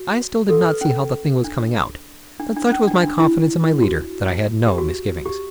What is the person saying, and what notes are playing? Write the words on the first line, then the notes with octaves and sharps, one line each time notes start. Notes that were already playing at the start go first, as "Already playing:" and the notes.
I still did not see how the thing was coming out, but such was my confidence in my leader that I had no misgivings.
Already playing: F#4
A4
B4
C#4
D4
D4
D4
C#4
D4
D4
E4
F#4
G4
F#4
G4